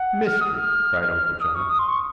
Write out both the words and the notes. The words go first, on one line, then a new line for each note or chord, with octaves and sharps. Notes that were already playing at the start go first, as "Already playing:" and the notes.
"Mystery!" cried Uncle John.
Already playing: F#5
F6
D#6
F6
D#6
C#6
D#6
C6
C#6